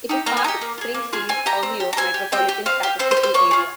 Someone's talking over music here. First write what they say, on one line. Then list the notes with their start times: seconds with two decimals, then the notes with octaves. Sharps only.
It is part of the Springfield, Ohio Metropolitan Statistical Area.
0.09 D#4 G4
0.26 A#3 A#5
0.37 G#5
0.44 D#4 G4 A#5
0.61 A#3
0.78 F4
0.81 G#4
0.94 A#3
1.13 F4 G#4
1.29 C4 G#5
1.46 G4 A#5
1.63 C4
1.80 G4
1.93 A#5
1.97 C4 G#5
2.14 G4
2.32 C4 G5
2.49 G4
2.66 C4 F5
2.83 G4
2.99 C4 C5
3.11 C5
3.17 G4
3.23 C5
3.34 A#3 C#5
3.51 F4 G#4